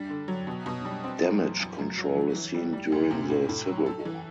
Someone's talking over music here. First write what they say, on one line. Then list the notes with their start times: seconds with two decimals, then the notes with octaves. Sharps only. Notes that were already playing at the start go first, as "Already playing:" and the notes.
Damage Control is seen during the "Civil War".
Already playing: G3 D4
0.09 D3
0.28 F#3
0.47 B2
0.66 B2
0.85 G3
1.04 C4
1.22 F#2
1.41 E3
1.60 F#2
1.79 F#2
1.98 F#3
2.16 E3
2.35 E3
2.54 G3
2.73 G3
2.92 D2
3.11 C3
3.30 A2
3.49 A2
3.68 F#3
3.86 A4
4.05 E3